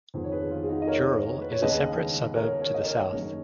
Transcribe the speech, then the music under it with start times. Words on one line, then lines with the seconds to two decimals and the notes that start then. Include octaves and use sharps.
Dural is a separate suburb to the south.
0.14 F2 D#3 G#3 B3
0.24 C#5
0.32 G#4 B4
0.51 F4
0.63 G#4
0.68 D#4 F#4
0.82 D#5
0.87 A#4 C#5
1.41 B4
1.52 C#5
1.62 D#2 C#3 G#3 B3 B4 D#5
2.36 A#4 C#5
2.61 A#4 C#5
2.74 D#5
2.86 A#4 C#5
3.11 F#1 F#2 D#3 G#3 B3